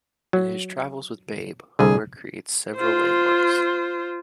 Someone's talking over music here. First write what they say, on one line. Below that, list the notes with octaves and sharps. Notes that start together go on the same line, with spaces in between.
In his travels with Babe, Homer creates several landmarks.
F#3
C2 D3 G#4
F4 C5